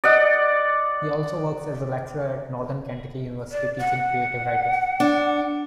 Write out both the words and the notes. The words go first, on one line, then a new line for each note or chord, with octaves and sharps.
He also works as a lecturer at Northern Kentucky University, teaching creative writing.
D5 D#5 F#5
D5
F#5
D4